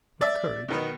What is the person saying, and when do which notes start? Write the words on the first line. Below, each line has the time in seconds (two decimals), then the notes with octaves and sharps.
But courage!
0.21 D5 E5
0.68 B2 D#3 B3